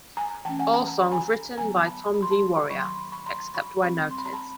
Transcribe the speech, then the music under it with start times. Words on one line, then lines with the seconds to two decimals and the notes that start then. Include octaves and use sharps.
All songs written by Tom G. Warrior, except where noted.
0.17 G#5 A#5
0.45 E3 A3 C#4 G5 A5
0.59 F#5 G#5
0.73 G5 A5
0.88 A#5
0.99 B5
1.11 G#5 A#5
1.57 D3 F#3 B3 G#5 A#5
1.86 A5 B5
2.14 B5
2.22 C6
2.30 A5 B5
2.70 D#3 F#3 A#3 B5 C#6
2.79 C6
2.84 B5 C#6
3.12 B5 C#6
3.26 A#5 C6
3.54 B5 C#6
3.82 G3 C4 B5 C#6
4.11 C6
4.18 B5
4.26 A#5
4.33 A5 B5